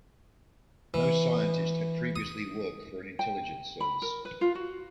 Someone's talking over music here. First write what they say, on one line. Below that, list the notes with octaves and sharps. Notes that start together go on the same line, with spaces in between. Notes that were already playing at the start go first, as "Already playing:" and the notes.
No scientist had previously worked for an intelligence service.
E3
D#6
G5
B5
A#4
B4
F4
F#4